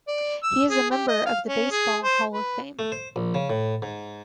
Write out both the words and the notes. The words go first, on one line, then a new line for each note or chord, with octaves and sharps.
He is a member of the Baseball Hall of Fame.
D5
E6
G#4
G4
D#5
F5
C#4
G#4
C5
B4
A3
C5
A#1
C#3
A2
G#2